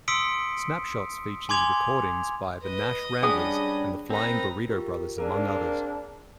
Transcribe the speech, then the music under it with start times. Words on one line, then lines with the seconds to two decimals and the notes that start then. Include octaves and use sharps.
"Snapshots" features recordings by the Nash Ramblers and the Flying Burrito Brothers among others.
0.08 C6 D#6 E6 B6 C#7 D7
1.49 G#5 C6 D6 G#6 F7
2.63 B4 D#5 D#7
3.23 G3 C#4 D4 G#4 B4 F#5 D#6
4.10 C4 D#4 A#4 B4 A#6
4.70 F4 G4 A#4
5.18 A#3 C4 D4 G#4 A#4 D5